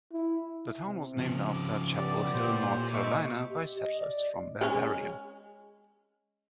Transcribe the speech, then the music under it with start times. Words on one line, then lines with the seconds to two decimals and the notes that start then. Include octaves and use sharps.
The town was named after Chapel Hill, North Carolina by settlers from that area.
0.13 E4
0.84 C3
1.18 C#3 F3
1.53 D6
1.98 A2 B3 G4 D5
2.34 A#2 C5
2.94 D2 C3 D#5 E5 C#6 D6
3.50 G4
3.79 D#5
4.00 D5
4.61 G#3 C#4